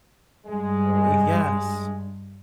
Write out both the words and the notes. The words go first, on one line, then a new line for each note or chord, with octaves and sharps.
Oh, yes,
G2 G#3